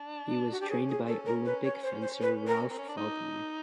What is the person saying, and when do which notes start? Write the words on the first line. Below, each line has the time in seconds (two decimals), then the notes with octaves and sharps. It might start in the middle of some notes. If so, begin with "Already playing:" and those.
He was trained by Olympic fencer Ralph Faulkner.
Already playing: D4
0.51 F#4
0.60 D4 G4
0.69 C#4 G#4
0.89 G#4
1.07 A4
1.26 A#4
1.45 B4
1.64 C#5
1.83 C5
2.02 C5
2.22 B4
2.47 A#4
2.70 C4
2.78 C#4
2.88 D4
2.97 D#4